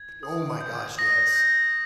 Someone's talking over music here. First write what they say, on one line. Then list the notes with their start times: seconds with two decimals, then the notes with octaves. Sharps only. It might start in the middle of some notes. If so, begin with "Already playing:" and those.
Oh my gosh. Yes.
Already playing: G#6
0.23 D#6
0.61 G6
0.98 D#6 A#6
1.36 G6 A#6